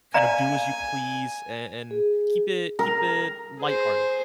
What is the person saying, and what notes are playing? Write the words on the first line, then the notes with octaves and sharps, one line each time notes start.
kind of do as you please and and keep it keep it lighthearted.
D5 F5 G#5 A#5
G#4
A#4
G#4 C5